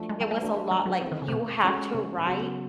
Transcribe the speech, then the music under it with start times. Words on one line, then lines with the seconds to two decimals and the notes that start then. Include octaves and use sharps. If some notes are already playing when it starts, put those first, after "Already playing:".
it was a lot, like, you had to write
Already playing: F3 A3 D4 F#4
0.09 G#3
0.21 G3
0.31 G#3
0.40 A3 D4 F#4 B4
0.71 G3
0.86 F#3
1.01 F3 C4 E4 A4
1.12 D#3
1.22 C#3
1.28 C3
1.32 B2
1.63 G#3 C#4 F#4 A4
1.94 C3
2.25 C#3 F#3 B3